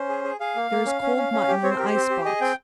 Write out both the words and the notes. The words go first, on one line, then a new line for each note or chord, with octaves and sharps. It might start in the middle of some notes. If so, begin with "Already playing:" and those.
There is cold mutton in the ice box.
Already playing: C#4 C5
G#4
G#4
G#4 F5
A#3
A#3
C#4
C#4
C#4
C#4
G4
C4 C#5
C5
G4 A#4
C5
C4
G4
G#4 D#5
C4 G5